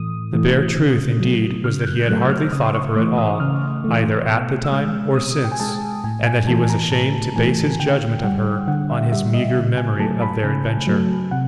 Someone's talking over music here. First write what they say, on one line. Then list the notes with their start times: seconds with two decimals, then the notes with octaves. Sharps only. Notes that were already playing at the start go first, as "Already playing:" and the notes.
The bare truth, indeed, was that he had hardly thought of her at all, either at the time or since, and that he was ashamed to base his judgement of her on his meagre memory of their adventure.
Already playing: A2 E3 A3 D#6
0.33 E3 A3
0.77 C#3
1.20 F#3 A3
1.64 C#3 F6
1.81 G6
1.86 F#6
2.08 F#3 A3 F#6
2.21 E6
2.30 F6
2.53 C#3 D#6
2.66 C6
2.75 C#6
2.96 E3 A3 D6
3.18 D#6
3.40 C#3 F6
3.84 E3 A3
4.28 B2
4.65 E6
4.72 G#3 F6
5.16 B2 D#6
5.44 G5
5.52 G#5
5.60 G#3 A5
6.04 A2 G#5
6.27 G#5
6.47 E3 A3 A5
6.70 A#5
6.92 A2 A5
7.36 E3 A3 G#5
7.80 D3 G5
8.24 G3 F#5
8.68 D3 F#5
8.90 E5
9.12 G3 E5
9.34 D#5
9.56 C#3
9.77 G#5
10.00 F#3 A3 A5
10.22 B5
10.43 C#3 G#5
10.87 F#3 A3
11.31 C3 F#5